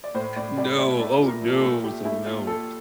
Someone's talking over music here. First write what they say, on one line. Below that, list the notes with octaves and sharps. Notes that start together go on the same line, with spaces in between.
No, oh no, so no.
D5
A2 C5
A2 D5
G3 D5
G3 E5
A3 D5
A#2
A#4
F3
A4
A3
A#2 G4
A3 E4
A#2 F4
A#2 A4